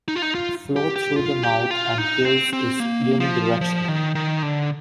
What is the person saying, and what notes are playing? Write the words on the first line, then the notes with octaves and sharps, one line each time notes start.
Flow through the mouth and gills is unidirectional.
D#4
F4
D#4
F4
G4
G4
F4
G4
F4
D#4
C4
C4
A#3
F3
F3
D#3
D#3
D3